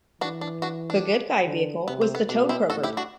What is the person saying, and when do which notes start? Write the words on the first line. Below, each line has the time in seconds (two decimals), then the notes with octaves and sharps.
The good guy vehicle was the Toad Croaker.
0.21 E3 D4 F#4
0.41 D4
0.62 D4 F#4
0.90 D4
1.46 D3
1.87 C3 B3
2.01 C4
2.15 B3
2.29 B2 D4
2.49 C4 E4
2.69 A2 F#4 A4
2.83 E4 G4
2.97 D4 F#4